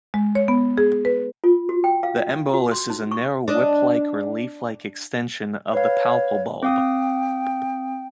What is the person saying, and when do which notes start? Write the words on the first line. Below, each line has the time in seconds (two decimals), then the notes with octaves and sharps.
The embolus is a narrow whip-like or leaf-like extension of the palpal bulb.
0.14 G#3
0.35 C#5
0.48 B3
0.78 G#4
1.05 B4
1.44 F4
1.69 F#4
1.84 G5
2.03 F5
2.54 F#4
2.72 C6
2.90 D#4
3.11 C#6
3.48 D4 D#5
5.73 B4 C#5 F5
6.63 C4 F5 G5 D#6